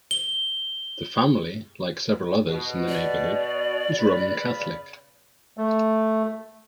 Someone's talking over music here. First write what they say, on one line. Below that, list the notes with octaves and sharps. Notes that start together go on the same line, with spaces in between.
The family, like several others in the neighbourhood was Roman Catholic.
G7
B2
D5
C#3 B4
A3